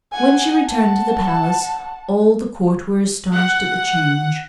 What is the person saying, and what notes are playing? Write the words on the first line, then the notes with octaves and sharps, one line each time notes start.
When she returned to the palace, all the court were astonished at the change.
F#5 G#5
F#5 A5
F#5